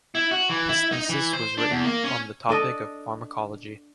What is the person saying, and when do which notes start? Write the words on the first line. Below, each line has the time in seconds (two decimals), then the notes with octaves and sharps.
His thesis was written on the topic of pharmacology.
0.15 E4
0.31 F#4
0.50 E3
0.69 E4
0.92 D#4
1.09 E3
1.33 C5
1.58 D4
1.71 E2
1.85 A#3
2.04 C#4
2.49 D4 A4 D#5